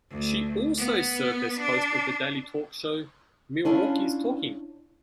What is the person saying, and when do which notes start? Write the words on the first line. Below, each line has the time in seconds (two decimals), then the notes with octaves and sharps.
She also served as host of the daily talk show "Milwaukee's Talking".
0.11 D2
0.78 B3
1.59 D4
3.65 C#4 D4 E4 F4